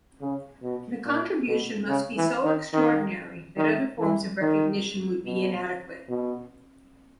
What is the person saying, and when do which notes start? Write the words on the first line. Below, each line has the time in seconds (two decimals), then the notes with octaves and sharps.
The contribution must be so extraordinary that other forms of recognition would be inadequate.
0.21 C#3
0.62 B2
1.05 A#2
1.47 B2
1.88 C#3
2.17 E3
2.44 D#3
2.73 D#3
3.57 D#3
3.99 E3
4.41 D#3
5.25 B2
6.09 B2